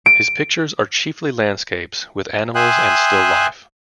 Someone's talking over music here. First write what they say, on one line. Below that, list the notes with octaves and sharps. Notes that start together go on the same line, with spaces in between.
His pictures are chiefly landscapes with animals and still life.
D7
E5 G5 G#5 C6 D#6 F#6